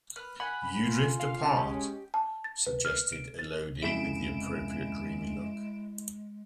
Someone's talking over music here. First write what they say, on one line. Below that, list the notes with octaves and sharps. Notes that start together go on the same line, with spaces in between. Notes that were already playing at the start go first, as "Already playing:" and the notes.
"You drift apart," suggested Elodie with the appropriate dreamy look.
B4 F6
F#5 G#5 B5
F4
F5
C#4 D#4 A5
G#3 G4
A5
A6
B4
F6
D7
A6
F2 C#3 G#3 E4 A4 B6 D7 E7